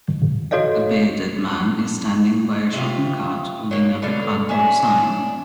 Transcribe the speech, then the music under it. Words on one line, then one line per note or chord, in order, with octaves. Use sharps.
A bearded man is standing by a shopping cart holding up a cardboard sign.
F#4 A4 C#5 D#5 F5
C3 F4
F#3 A#3
B2 D3 A4 F5
C#4 D4 E5